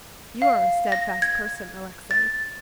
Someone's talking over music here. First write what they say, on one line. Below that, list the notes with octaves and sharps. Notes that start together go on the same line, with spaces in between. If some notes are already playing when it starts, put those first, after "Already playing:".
You are a steadfast person, Alexey.
F5
A#6
G#6
A6